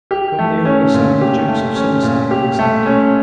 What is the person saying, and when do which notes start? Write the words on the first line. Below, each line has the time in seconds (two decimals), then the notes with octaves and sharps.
From the younger son the Dukes of Somerset were descended.
0.11 G4
0.39 A3
0.65 C#4
0.94 A#2
1.21 G4
1.48 A3
1.76 C#4
2.03 A#2
2.31 G4
2.59 A3
2.86 C#4